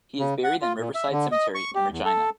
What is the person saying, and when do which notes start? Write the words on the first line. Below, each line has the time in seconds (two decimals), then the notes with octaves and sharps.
He is buried in Riverside Cemetery in Regina.
0.19 C#3
0.44 F#5
0.62 F4
0.79 A#2
0.95 E5
1.12 D3
1.32 D#5
1.55 C#6
1.75 G4
1.91 E2
2.05 A4